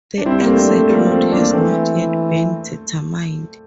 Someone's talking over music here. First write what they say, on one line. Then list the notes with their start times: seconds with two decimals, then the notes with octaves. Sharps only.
The exact route has not yet been determined.
0.18 D4
0.25 G3 C4 E4
0.42 A#3
0.47 A3 C4
0.58 D4
0.68 A3 C4
0.81 A3
0.90 F3 G3 A#3
1.11 A3 C4
1.32 A#3 D4
1.53 E3 A3 C4